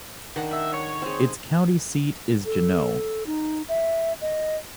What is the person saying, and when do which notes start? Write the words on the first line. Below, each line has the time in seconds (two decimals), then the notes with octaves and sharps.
Its county seat is Juneau.
0.36 D#3 D4 F#5
0.53 E5
0.74 C#5
1.02 C4 G#4
2.45 A4
3.27 D#4
3.69 E5
4.21 D#5